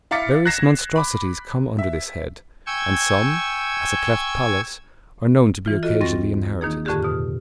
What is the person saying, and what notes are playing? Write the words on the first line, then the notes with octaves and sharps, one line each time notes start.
Various monstrosities come under this head; and some, as a cleft palate, are known to be occasionally inherited.
E4 F5 D6 A6 B6 C#7
F#6 G#6 A#6 C7 E7
B5 D6
E5
G5 G#5 C#6 E6 G#6
E3 F4
F4 F#4 A4 D#5
D#2 C4 C#6 A6 A#6
D#3 A#3 D#4 G#4
F2 A2 D3 D#3 G4 G#4
B2 F6